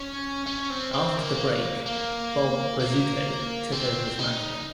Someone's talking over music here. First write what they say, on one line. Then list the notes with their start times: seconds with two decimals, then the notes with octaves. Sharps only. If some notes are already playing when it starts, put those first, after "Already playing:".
After the break, Bob Bozzuto took over as manager.
Already playing: C#4
0.46 C#4
0.70 C4
0.93 C4
1.17 A#3
1.86 A#3
2.80 A#3
3.72 C4
4.19 D#4